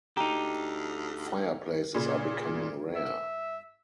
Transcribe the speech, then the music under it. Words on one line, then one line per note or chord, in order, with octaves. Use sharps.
Fireplaces are becoming rare.
D2 D#4 G4 A#5
A#2 C#3
E5